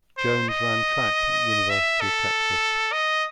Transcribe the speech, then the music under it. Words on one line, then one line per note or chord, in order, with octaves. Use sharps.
Jones ran track at University of Texas.
C5
D#5
E5
A4
D#5